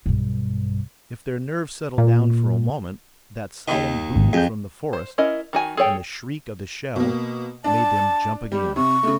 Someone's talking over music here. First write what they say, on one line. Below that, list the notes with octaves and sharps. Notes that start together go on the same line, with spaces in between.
If their nerves settled down for a moment, that solemn boom from the forest and the shriek of the shell made them jump again.
B1 G2
A#2
D#2 D#3
G#1
F2 G#4 G6
C5
C#4 E4 A#4 D#5
D#3 F#4 G#5
G#4 A4 C#5 G5
B2 A#3
D4 A5
G3 G4
C3 C#6
C#3 A3